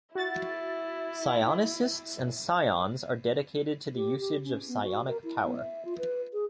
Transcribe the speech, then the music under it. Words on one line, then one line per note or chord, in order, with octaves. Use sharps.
Psionicists and Psions are dedicated to the usage of psionic power.
E4 F#4 A6
G4
G4
C#4
B3
F#4
A#4
E4
B3
E5
F4
B4
G#4